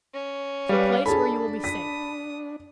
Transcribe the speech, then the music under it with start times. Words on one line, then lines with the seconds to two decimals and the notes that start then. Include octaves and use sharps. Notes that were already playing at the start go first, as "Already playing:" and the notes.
"To a place where you will be safe."
0.14 C#4
0.69 G3 B4 D5 F5
1.06 D4 G#4 A4 A5 B5
1.64 D#6 B6